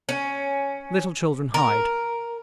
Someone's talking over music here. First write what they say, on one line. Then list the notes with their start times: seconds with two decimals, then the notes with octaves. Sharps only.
Little children hide.
0.09 C#4
1.54 A#4